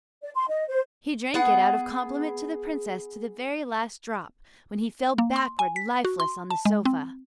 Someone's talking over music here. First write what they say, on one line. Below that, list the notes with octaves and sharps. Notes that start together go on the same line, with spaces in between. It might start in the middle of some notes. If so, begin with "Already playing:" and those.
He drank it out of compliment to the princess to the very last drop, when he fell backward lifeless on the sofa.
D5
C6
D#5
C5
B3 G#4 F#5
A#3
C6
G#5
B6
F#4
C6
A5
G#3
C4